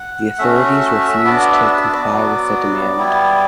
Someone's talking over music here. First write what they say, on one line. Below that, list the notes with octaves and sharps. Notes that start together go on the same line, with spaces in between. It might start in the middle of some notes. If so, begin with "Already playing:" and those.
The authorities refuse to comply with the demand.
Already playing: F#5
A3 C#4 F#4 E5
B3 D4 F#4 D5
E5
D5
F#3 B3 F#4
G3 B3 E4